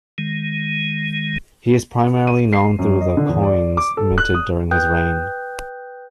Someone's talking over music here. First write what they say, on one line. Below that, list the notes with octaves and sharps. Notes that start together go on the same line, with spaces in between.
He is primarily known through the coins minted during his reign.
D#3 G#3
D#7
C7
F#2
D#5
D3
E2
D5
D6
A4
F#6
D#6
B4 G5 D#6 F#6 G6